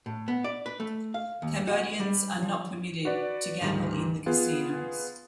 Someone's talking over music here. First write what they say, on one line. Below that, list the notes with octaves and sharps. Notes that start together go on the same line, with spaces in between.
Cambodians are not permitted to gamble in the casinos.
A2
B3
D5
B4
A3
F5
D#2
F#4
G3
F3
F#4 B4 D5
D2 G#2 D#3 G3
B3 F4 G#4